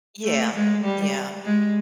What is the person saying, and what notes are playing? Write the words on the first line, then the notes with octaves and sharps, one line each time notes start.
Yeah, yeah.
A3
G#3
G3
G#3